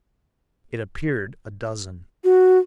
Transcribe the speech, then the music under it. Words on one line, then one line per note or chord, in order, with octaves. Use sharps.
It appeared a dozen.
F#4